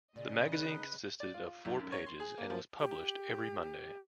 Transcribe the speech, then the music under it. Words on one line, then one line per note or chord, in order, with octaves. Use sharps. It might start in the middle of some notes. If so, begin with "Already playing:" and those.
The magazine consisted of four pages and was published every Monday.
A#2 C#3 D5 D#5
D#4 B4
D5
F4
B1
F#2
C#5
C6
G#4
A#3
F3
G4